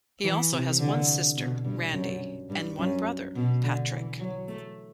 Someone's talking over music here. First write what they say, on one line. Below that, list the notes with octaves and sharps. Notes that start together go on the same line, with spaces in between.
He also has one sister, Randi, and one brother, Patrick.
E3
C3
D3
B2
G2
F#2
G2
F#2
B2
D3
E3
F#3
A3